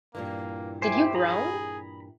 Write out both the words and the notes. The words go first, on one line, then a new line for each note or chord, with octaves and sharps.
Did you groan?
G2 A#2 E3 A#3
E4 G4 C5 G#5
G#4 A#5 B5